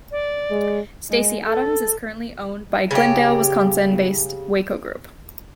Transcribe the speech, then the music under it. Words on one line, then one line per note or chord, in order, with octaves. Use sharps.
Stacy Adams is currently owned by Glendale, Wisconsin-based Weyco Group.
D5
G#3
G#3
A4
C#3 G4